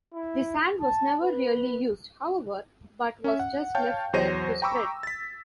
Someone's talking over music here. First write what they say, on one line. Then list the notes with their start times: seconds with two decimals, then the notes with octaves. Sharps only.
The sand was never really used, however, but was just left there to spread.
0.14 E4
0.81 A5
1.22 B4
3.24 C#4 E5
3.39 F#5
3.75 C#5 F5 G5 A5 G6
4.13 E2 F#3 C5 C#5 A#6 D#7
4.62 G5 A#5 B5 C#6 D6 E6
5.03 A6 B6